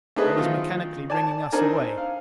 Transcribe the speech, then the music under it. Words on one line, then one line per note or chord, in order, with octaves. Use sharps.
I was mechanically ringing us away.
A3 C4 D#4 G#4 B4 D#5
D#3 F#3 F4
D5 G#5 A5
C4 D4 D#4 A#4 G#5
F5